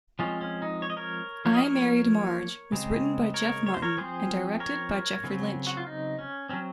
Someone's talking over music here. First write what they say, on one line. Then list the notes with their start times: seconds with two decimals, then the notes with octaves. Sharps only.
"I Married Marge" was written by Jeff Martin and directed by Jeffrey Lynch.
0.19 F3 G#3 C4 C#4 F4
0.41 C#4
0.62 D#4
0.82 C#5
0.90 D#5
0.97 A#4 C#5
1.45 F3 A#3 C#4 C#5
1.54 D#5
1.63 A#4 C#5
2.72 C#3 G#3 C4
3.34 A#4 C#5
3.66 C#5
3.74 C5
3.82 A#4 C#5
3.97 F3 C4 G#4 C5
4.60 A#4 C#5
5.24 C#3 F#3 C4
5.67 F#4
5.77 F4
5.87 D#4
6.19 C#4
6.49 F#3 C4 C#4